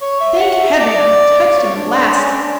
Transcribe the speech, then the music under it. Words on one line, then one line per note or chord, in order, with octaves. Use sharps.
Thank Heaven, I've touched him at last!
C#5
E5
F#5
E5
D5
C#5
D4
D4
C#4
D4